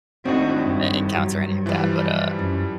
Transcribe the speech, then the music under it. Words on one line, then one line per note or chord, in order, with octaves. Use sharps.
en encounter any of that, but, uh,
G#1 A2 C4 D4 D#4 F#4
G2
F#3
E3 F3 G3
F#2